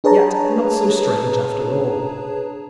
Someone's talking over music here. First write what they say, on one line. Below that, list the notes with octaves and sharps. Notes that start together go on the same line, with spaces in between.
Yet not so strange after all.
D4 G#4 B4 C#5 A5 A#5